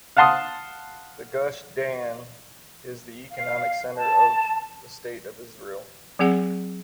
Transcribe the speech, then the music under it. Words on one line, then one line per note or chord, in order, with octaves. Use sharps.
The Gush Dan is the economic center of the state of Israel.
F5 F#5 A5 C6 D#6
F5
A5
F#3 C4 G#4 F#5